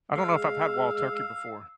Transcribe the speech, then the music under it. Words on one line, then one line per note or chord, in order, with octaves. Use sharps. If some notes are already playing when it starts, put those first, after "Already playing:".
I don't know if I've had wild turkey before.
G#3 F5 E6